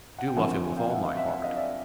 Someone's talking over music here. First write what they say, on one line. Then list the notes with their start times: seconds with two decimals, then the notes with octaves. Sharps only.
I do love him with all my heart.
0.19 F#5
0.27 G5
0.36 F#2 D3 F3 A3 C4 F#5 G#5
0.77 F5 G5
0.90 E5 F#5
1.04 D#5 F5
1.17 E5 F#5
1.30 F#5 G#5
1.44 D#5 F5
1.56 D5 E5